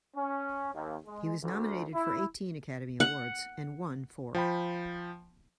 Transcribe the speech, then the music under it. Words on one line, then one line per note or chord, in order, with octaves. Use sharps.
He was nominated for eighteen Academy Awards and won four.
C#4
D#2
G#3
D2
E4
F#5
F3 G5 B5